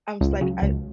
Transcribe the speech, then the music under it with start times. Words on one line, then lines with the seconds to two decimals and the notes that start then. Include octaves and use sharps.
I was like, I
0.21 C#2
0.41 C#3 F#3
0.62 C#2